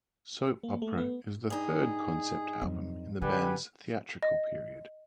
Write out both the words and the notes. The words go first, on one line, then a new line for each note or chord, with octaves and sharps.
"Soap Opera" is the third concept album in the band's "theatrical period".
A#3
A3
B3
G2 D#4 G#4
F2 F#3
D3 G3 B4 F#5 G#5
D#5